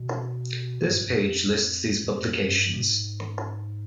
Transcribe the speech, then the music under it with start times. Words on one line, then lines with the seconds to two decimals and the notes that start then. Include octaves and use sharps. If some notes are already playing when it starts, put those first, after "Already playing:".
This page lists these publications.
Already playing: B2
0.89 G2
1.02 G2
1.08 F2
2.04 F2
2.43 G2
2.73 B2
2.82 G#2